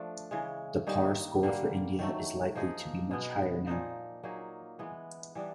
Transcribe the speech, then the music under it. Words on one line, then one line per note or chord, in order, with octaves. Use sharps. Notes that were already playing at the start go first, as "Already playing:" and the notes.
The par score for India is likely to be much higher now.
Already playing: F3 A3 D4
C#3 E3 G#3
D#3 G3 A#3 D#4
D3 G3 A#3
D#3 F#3 A3
F3 A#3 D#4 G#4
B2 G#3 B3
A#2 F3 A#3 D#4
F#3 A#3 D#4 G#4
E3 G#3 B3
E3 G3 B3 D4